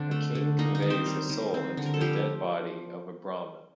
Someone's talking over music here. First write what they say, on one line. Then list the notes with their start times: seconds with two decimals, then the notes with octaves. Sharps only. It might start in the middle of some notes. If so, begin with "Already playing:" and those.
A king conveys his soul into the dead body of a Brahman.
Already playing: D3 C4 D4
0.11 A3
0.35 D3
0.59 A#3 D#4
0.75 D#4
0.82 D#3
0.90 C4 C5
1.06 G3
1.30 D#3
1.54 C4
1.77 D3
1.86 A#4
1.94 A4
2.01 F3 G3 G4